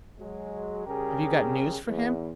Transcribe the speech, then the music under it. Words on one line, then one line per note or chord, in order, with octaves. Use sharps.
"Have you got news for him?"
F#3 G#3
C#3 G3 G4 G#4 A#4
E2